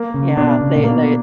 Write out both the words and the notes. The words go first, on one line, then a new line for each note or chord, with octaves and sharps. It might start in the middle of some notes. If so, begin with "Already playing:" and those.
Yeah, they they
Already playing: A#3
C#3
B2 D4
C#3
A#2
B2 A#3